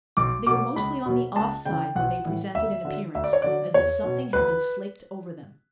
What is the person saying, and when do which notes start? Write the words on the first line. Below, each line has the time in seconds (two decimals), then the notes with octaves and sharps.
They were mostly on the off side; where they presented an appearance, as if something had been slaked over them.
0.17 B1 D6
0.47 B2 F#3 D6
0.76 C#2 B5
1.06 B2 F#3
1.36 C#2 A5
1.65 C#3 E3 G5
1.95 B1 F#5
2.25 A2 E3
2.55 D2 E5
2.85 D3 F#3
3.15 D2 E5
3.24 D5
3.33 C#5
3.42 D3 F#3 D5
3.74 E2 C#5
4.04 B2 F#3
4.33 D2 B4